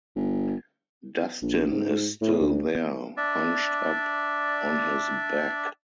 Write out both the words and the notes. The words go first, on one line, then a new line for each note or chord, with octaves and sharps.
Dustin is still there, hunched up on his back.
G1
A#1
G#2
A2
D2
D4 D5 E5